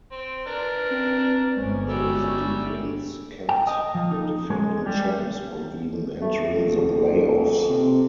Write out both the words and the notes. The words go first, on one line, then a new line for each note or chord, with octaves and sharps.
Those two wins kept the defending champs from even entering the playoffs.
C4
D4 A#4 B4
C4
G1 G#3 C#4 C5
G3 F#4 E5
D4
G5
D#5
F3
D#4
G#3
G3
A3
F1 F2
D#2
C3